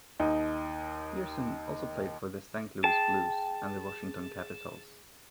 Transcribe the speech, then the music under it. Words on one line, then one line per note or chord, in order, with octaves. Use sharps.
Pearson also played for the Saint Louis Blues and the Washington Capitals.
D#2 D#4
G#4 G5 A5